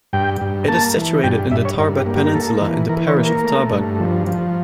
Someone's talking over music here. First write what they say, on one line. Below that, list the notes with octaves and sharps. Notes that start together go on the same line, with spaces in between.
It is situated in the Tarbat Peninsula in the parish of Tarbat.
G2 G5
G2
A#3 A5
E3
G2 G5
G2 E5
C#5
G2 A#4
G4
A#3
G4
A#4
A#3 A4
E3
E3 A#4
C#5
A#3
A#4
A3
G2
F3
F3